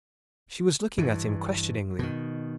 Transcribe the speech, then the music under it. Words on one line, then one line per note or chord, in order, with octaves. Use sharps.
She was looking at him questioningly.
G2 E3
B2 D#3